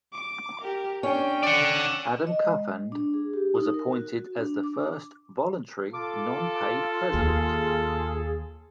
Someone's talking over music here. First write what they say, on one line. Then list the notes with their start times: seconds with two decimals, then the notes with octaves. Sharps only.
Adam Cuthand was appointed as the first voluntary non-paid president.
0.13 D6
0.62 G4 A#4
1.03 C#4 D4 G5
1.43 D5 F#5
2.27 D#5
2.44 G#3
2.92 D4
3.14 G#4
3.34 G4
3.55 D#4
3.74 A#4
3.92 F#4
4.37 D4
4.64 D6
5.93 F4 A4 D6
7.14 D#2 G#4